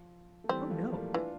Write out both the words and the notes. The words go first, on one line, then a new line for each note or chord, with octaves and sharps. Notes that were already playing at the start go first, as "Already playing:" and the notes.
"Oh no."
Already playing: F3
A3
E3 G3 C4
F3 A3
G3 A#3
E3 D4 F4